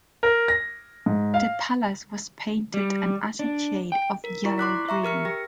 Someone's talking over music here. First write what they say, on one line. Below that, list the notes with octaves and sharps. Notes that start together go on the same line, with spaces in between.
The palace was painted an acid shade of yellow-green.
A#4
A#6
G#2
F5
G3
D4
G5
A#4
E4 F4 D5 A#5 C#6
C6 D6 F#6 B6
E5 A#5 C#6
G4 A#4 F6 C#7
G4 G5 A#6